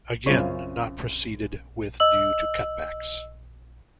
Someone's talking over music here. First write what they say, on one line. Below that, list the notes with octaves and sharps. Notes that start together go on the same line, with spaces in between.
Again not proceeded with due to cutbacks.
F#2 C#3 C4 F4 C#5 C#6
D#5 E6 F#7